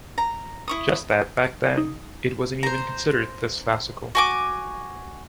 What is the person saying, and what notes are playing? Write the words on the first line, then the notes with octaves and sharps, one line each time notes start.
Just that back then, it wasn’t even considered this classical.
A#5
E4 C#6 D#6
D#4
C5 A#5
F#4 G#5 D6